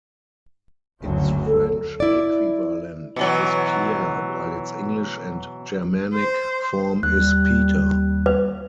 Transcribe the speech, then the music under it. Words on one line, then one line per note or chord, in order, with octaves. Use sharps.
Its French equivalent is Pierre while its English and Germanic form is Peter.
F#1 D2 F#3
A4
E4 D5
B2 E3 F#3
C5
D#2 G3 F#6
B4